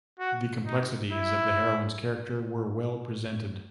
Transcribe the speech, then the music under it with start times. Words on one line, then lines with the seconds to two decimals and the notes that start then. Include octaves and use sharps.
The complexities of the heroine's character were well presented.
0.20 F#4
0.66 D#4
1.11 E4